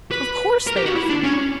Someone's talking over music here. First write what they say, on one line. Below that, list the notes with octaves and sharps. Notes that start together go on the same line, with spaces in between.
Of course they are for me.'
B4
A#4
G4
F#4
E4
D4
C#4